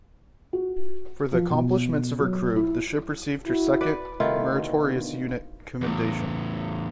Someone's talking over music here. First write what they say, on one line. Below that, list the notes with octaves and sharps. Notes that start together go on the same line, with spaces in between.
For the accomplishments of her crew, the ship received her second Meritorious Unit Commendation.
F#4
F3
B2
F#3
E4
E4 F#4
B4 D5
C2 A2 D#3 A3 E4 F4
D2 B2
E2 A2